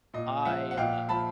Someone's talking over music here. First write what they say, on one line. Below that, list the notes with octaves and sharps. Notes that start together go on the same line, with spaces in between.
I, uh,
A#2 D#5
F3 E5 F#5
F#5
A#2 F5 G5
F3 A5 B5